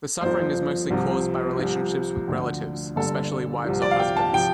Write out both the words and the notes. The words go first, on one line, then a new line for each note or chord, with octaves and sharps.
The suffering is mostly caused by relationships with relatives, especially wives or husbands.
G1 F2 F3 C5
C2 C3 F3
C2 C3 F3
D2 D3 F3
G1 G2 D3 A4
C2 C3 F3
D5
F5
G5
A5
C3 F3 G5